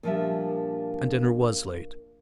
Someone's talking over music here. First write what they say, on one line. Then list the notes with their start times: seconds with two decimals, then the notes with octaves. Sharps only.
And dinner was late.
0.03 A#2 D3 F3 G3 D4 E5